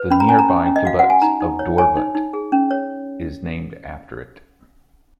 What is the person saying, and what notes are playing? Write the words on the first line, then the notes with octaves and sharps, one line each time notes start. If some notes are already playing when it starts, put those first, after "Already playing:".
The nearby kibbutz of Dovrat is named after it.
Already playing: B4
C#4 B5
A#5
C#4 G#5
A#5
C#4
C#4
D#5
F#4 F5
F#4 F#5
G#5
D#4 A#5
D#4
C#5
C#5 G#5
D#4
D#4
G#4
C#4
C#5